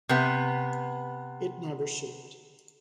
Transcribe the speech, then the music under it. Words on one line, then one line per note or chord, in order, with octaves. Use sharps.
It never shipped.
C3 B3